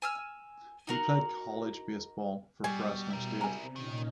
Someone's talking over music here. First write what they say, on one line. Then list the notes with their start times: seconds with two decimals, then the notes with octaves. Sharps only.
He played college baseball for Fresno State.
0.02 G#5 E6 F6
0.87 D#4 F#4 A#4
2.64 B2 G3 G#5
3.10 B2 E4 A#4
3.41 C3 G#5 A#5
3.76 A#2 D#3 C#4 D#4